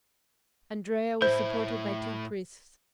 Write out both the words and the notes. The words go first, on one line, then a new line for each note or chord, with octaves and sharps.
Andrea was supported by two priests.
A2 E4 C5